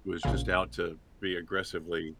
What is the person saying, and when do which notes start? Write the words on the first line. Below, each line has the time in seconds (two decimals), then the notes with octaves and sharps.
was just out to be aggressively
0.23 A#1 C#3 F5